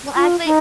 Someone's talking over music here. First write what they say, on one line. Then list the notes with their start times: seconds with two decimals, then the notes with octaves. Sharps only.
Well, actually
0.16 F4
0.45 D#4